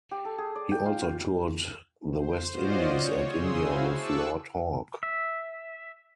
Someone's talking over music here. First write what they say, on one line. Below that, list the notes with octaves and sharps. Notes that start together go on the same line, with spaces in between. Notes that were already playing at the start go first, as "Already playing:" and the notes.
He also toured the West Indies and India with Lord Hawke.
G4
A4
G#4
D5
G5
F4
F4
C5
C#4 F4 F#4 C5 D5 D#5
C#5
C#3 G#4 C6 D#6 E6
E4 F#4 C5 F5 G#5
A5 C#6 D6 E6 F#6
E5